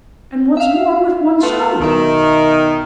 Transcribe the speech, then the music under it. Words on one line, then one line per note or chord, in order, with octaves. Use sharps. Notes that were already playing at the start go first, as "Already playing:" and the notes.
And what's more,--with one scull gone.
E5 F5
A3 B3 F4
B1 D#3 E5